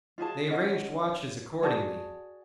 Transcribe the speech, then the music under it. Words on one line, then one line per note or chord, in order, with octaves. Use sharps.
They arranged watches accordingly.
F4 F#4 G#4 A5
C#4 D#5 F#5
F#4 G#4 D5 A5